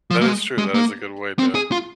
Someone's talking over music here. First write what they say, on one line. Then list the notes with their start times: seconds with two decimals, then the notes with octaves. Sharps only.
That is true. That is a good way to
0.11 F3
0.21 A#3
0.26 G#3
0.58 G#3
0.74 A#3
1.39 C4
1.55 G#4
1.72 F4